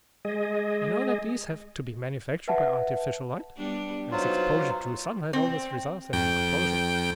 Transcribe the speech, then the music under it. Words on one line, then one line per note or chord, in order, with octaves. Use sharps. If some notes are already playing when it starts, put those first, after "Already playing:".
You know that these have to be manufactured by artificial light, as exposure to sunlight always results in an explosion.
G#3 G#4 D#5
B4 E5 F#5 A5
G3 B3 D4
F#3 D#4 F4 B4 C5
C4
F2 G5